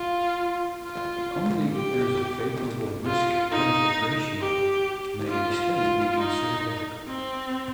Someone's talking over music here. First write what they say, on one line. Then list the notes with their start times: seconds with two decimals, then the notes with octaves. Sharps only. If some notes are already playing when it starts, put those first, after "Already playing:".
Only if there is a favorable risk-benefit ratio may a study be considered ethical.
Already playing: F4
0.83 F4
1.73 G4
3.06 F4
3.51 D#4
4.40 G4
5.29 F4
5.74 F4
6.18 D#4
7.07 C4